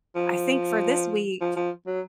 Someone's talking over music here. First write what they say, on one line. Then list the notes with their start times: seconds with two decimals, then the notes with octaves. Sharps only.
I think for this week
0.16 F3
1.41 F3
1.56 F3
1.87 F#3